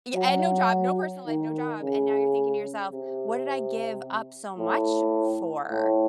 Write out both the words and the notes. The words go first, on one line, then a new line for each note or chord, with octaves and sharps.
Yeah, and no job. No personal life, no job. And now you're thinking to yourself, "What did I give up so much for?"
F#3
D#3
C#3
C3
A2
A2